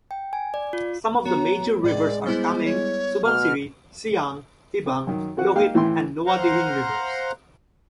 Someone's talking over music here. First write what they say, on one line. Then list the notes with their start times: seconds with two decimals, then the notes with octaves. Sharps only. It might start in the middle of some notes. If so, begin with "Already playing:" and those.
Some of the major rivers are Kameng, Subansiri, Siang, Dibang, Lohit and Noa-Dihing rivers.
0.11 G5
0.33 G#5
0.54 D5
0.73 F4
1.25 B3 F#4 C#5 A#5
1.84 A2 G#3 D5
2.26 G3 B3 E4 C5
2.65 C#5
3.24 B2 F6
4.86 C4
5.07 F#2 D#3
5.37 C4 F#4 F#5
5.55 G#3 A#3 D#4 G4 F5 G5
5.74 A2 E3 E4 G5 C6
6.27 C5 F5 F#5 A#5